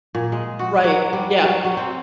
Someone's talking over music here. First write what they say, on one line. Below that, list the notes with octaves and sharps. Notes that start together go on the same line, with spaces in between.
Right, yeah.
A#2
G#3
F#4
F#3
G3
F#3
F#3
C4